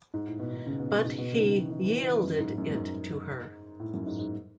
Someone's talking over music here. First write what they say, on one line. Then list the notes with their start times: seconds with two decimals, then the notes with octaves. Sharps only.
But he yielded it to her.
0.14 G#2
0.27 A2
0.39 B2
0.53 D#3
0.67 C#3
0.80 B2
0.92 B2
1.05 G#2
1.18 B2
1.32 C#3
1.40 D#3
1.44 C#3
1.57 E3
1.70 D#3
1.85 E3
1.98 E3
2.10 E3
2.24 F#2
2.36 A2
2.40 G#2
2.58 F#2
2.71 F#2
2.75 G#2
3.80 A2
3.94 F#2
4.06 G#2
4.19 G#2